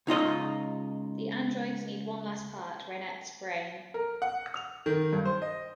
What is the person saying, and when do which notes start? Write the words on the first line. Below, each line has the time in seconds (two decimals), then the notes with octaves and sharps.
The androids need one last part; Reinette's brain.
0.07 C#2 D#4 F4 D#5
3.94 A#4
4.22 F#5
4.56 F7
4.86 D#3
5.12 G2
5.25 C5
5.42 D#5